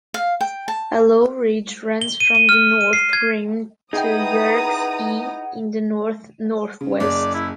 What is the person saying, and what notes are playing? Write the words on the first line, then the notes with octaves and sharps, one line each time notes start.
A low ridge runs from the north rim to Yerkes E in the north-northwest.
F5
G5
A5
G7
D#7
D#7
F6
D#7
C7
G#6
D#4 E4 G#4 B4 F#5 G5 A#5 D#6
C#3
F#1 G#4 D5
E4